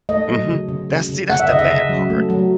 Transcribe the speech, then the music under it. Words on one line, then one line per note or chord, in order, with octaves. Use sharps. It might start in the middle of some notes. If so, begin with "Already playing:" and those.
Mhm, that's see, that's the bad part.
A3 D#5
F#3
C#3
C#3
C#3
C#3
C#3 F#5
E5
C#3 D#5
E5
C#3
F#3
A3
F#3